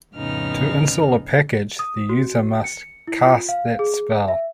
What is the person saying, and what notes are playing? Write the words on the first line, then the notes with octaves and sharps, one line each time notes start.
To install a package the user must "cast" that spell.
F2 A2 C#3 B3 D#4 F6
D#6
F#4
C#7
E4
F4
F5
G#4
E5